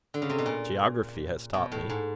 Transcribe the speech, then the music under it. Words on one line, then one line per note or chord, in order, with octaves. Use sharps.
"Geography has taught me."
D3
C#3
C3
B2
A#2
B2
A2
G#2